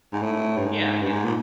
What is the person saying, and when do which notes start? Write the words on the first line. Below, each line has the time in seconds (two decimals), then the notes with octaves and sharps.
Yeah, I get that.
0.13 G#2
0.22 A2
0.57 G2
0.66 G#2
1.01 G2
1.09 G#2
1.25 A#2